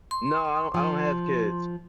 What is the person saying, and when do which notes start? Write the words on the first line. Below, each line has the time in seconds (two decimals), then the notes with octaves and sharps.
No, I don't I don't have kids.
0.11 C6
0.74 F3